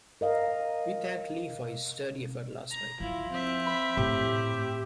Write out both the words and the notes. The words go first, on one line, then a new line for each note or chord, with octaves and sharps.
We thank Lee for his sturdy effort last night.
A#4 D#5 F5
A#5
F3 E4 F4
C4 E5
B5
A2 G4